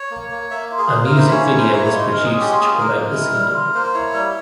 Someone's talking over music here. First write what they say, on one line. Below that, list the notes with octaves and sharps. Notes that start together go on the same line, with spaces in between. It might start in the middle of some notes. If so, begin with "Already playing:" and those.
A music video was produced to promote the single.
Already playing: C#5
A#3
A#3
A#3 E5
F4
G#4
A#3 C5
A#4
E4
C5
C#4 C#5
C#5
A#3
C5
E4 C#5
C#5
G#3
C5
G#3 A#4
G#4
C#4
G4
F4 G#4
G#4
A#3
A#4
G#3
E4
G3
F4
A#3 C5
E4 C#5
G3